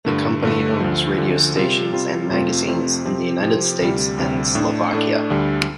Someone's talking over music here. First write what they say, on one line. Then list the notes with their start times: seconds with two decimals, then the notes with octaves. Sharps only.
The company owns radio stations and magazines in the United States and Slovakia.
0.05 G2 D3 A3
0.42 G2 D3 A3
0.80 D2 D3 F3
1.17 D2 D3 F3
1.56 C3 G3 F4
1.93 C3 G3 F4
2.30 F2 C3 A3 C4 F4
2.67 F2 C3 A3 C4 F4
3.05 C3 F3 C4 G4
3.42 C3 F3 C4 G4
3.81 D2 C3 G3
4.18 D2 C3 G3
4.55 A2 A3 D4
4.93 A2 A3 D4
5.30 D2 D3 G3